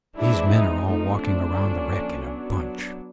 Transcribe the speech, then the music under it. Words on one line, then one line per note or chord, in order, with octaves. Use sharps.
These men are all walking around the wreck in a bunch.
E3 G#3 C4 D4 E4
D#4
F3 A3 C4 D#4
D4
D3 F3 A#3 C#4
F#3 B3 D4